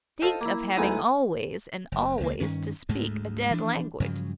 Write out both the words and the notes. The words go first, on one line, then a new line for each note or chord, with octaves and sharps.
Think of having always--and always--to speak a dead language!
F4 A4 C5 D#5 F5 G5
A#3 E4
D2 G#3 B3 D#4 E4 D#6
F#1
C#2 A3 A#3
G2 D#3 C#4
D2 G#2 G#3 A3
E3 F3 D4
G2 C#3 F3 F#3